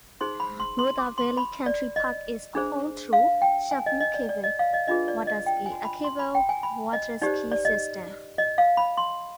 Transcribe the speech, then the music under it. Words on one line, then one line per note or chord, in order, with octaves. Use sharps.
Rother Valley Country Park is home to Sheffield Cable Waterski, a cable waterski system.
D#4 G#4 C5 C6
B5
C6
C6
D6
C6
B5
D5
D#5
D4 G#4 C5
F5
G5
G#5
D#5
D#5
D5
D5
D#5
F5
D#5
D4 F4 G#4 B4 D#5
D5
D#5
G5
G#5
B5
C6
B5
G5
G#5
B5
D#5
D#4 G4 C5 D5
D5
D#5
D#5
F5
B5
C6